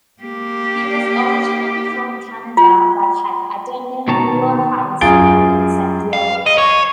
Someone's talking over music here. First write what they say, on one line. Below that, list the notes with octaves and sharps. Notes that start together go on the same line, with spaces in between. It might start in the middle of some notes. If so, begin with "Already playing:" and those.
He was originally from Canada but had attended Hoover High School in San Diego.
A#3 G4
F4
B2 D#3 C#5 A5 A#5
F#2 F4 G#4 A6 D7 G7
F5
D#5
C#5